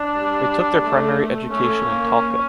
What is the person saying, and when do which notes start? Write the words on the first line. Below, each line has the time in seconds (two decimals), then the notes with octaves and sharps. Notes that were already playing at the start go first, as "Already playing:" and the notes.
They took their primary education in Talca.
Already playing: D4
0.15 G3
0.83 A3
1.50 A3 C#4
1.84 A#3